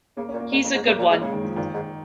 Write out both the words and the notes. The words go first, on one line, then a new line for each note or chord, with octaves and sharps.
He's a good one.
C#3 A#3
C#4
A#2
A#3
G#2 C#4
F2
G#2
C#3 A#3
A#2
G#2
C#3 G#3
D#3
F3
A#2 D#3
G#2